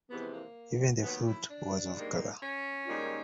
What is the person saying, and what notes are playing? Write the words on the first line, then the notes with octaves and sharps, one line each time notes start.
Even the flute was off-color.
F2 C3 E3 G#3 B3
A#3
D#2 D#3 F#3 B3
E4
D4
G#2 D#3 G3 A#3
C#4
G#2 D#3 G3 A#3